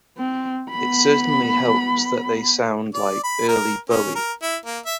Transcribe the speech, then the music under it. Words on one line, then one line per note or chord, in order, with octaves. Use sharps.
It certainly helps that they sound like early Bowie.
C4
B3 B5
D5
B5
A#4
C#4
A#4
E4
A#3
E5